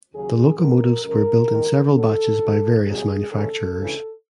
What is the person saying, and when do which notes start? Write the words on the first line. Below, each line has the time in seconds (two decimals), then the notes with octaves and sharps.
The locomotives were built in several batches by various manufacturers.
0.14 D#2 C#3 F#3 G#4
0.59 C2 B2 G#3 A#4
1.04 F#2 C#3 F3 G#3 A#4
1.50 D#2 D#3 G#3
1.95 A2 F#3 A4
2.41 F#2 D#3 F#3
2.86 C2 B2 F#3 G#4
3.31 D#2 C#3 E3 G#3 A4
3.77 D2 C#3 E3